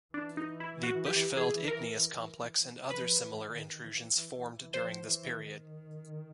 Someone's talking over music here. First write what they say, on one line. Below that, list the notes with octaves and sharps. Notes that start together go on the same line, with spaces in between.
The Bushveld Igneous Complex and other similar intrusions formed during this period.
E3 D4
D#4
E4
F#4
G4
G#4
A#4
F3 B4
E3
D#3
E3
F3 C5
E3
D#3